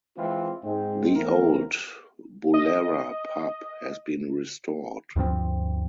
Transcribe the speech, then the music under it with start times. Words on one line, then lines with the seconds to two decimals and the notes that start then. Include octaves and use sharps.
The Old Boolarra Pub has been restored.
0.17 E3 G#3 C4 F4
0.64 G#2 G#3 C4
1.15 E2 E3 A3 B3 C4 A#4
2.54 D#5
5.16 D2 G2 F3 C4